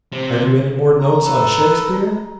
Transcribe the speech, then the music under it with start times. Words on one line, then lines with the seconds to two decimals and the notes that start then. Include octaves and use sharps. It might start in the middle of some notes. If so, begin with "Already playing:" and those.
Have you any more notes on Shakspeare?
0.12 C3
0.98 A#5
1.25 A4 B4